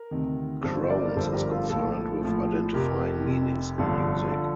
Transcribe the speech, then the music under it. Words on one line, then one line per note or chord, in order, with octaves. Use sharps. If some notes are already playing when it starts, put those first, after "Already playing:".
Krones is concerned with identifying meanings in music.
Already playing: A#4
D2 C3 D#3
G1 G2 D3 F3 A4 C5
C5
A#4 D5
A#4
G1 G2 D3 F3 A4 C5
G4 A#4
F4 A4
A#1 A2 F3 F4 A4
A#1 A2 F3
F1 F2 C3 G4 A#4
F1 F2 C3
G1 G2 D3 F3
D3 F3